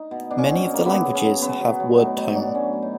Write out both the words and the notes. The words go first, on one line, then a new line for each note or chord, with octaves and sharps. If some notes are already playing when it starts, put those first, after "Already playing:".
Many of the languages have word tone.
Already playing: D#4
B2
B2 D4
C#4
B2 C4
C#4
B2
A#3
C#3 B3
C#3
C#4
F#3
C#3 B3
F#3
F#3
A2 D#4
F#3 D#4
F#3 D4
A2 C#4
F#3
D#4